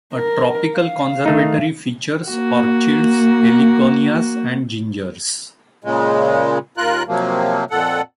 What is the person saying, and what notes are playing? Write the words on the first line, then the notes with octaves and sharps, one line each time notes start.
A tropical conservatory features orchids, heliconias, and gingers.
A#4
F5
D#3 A3 D#4
A#3 F#4
A#2 C#3 G#3
D#2 F4 A#4 F#6
C3 F3 F#3 A#3
F2 A#2 A4 F#5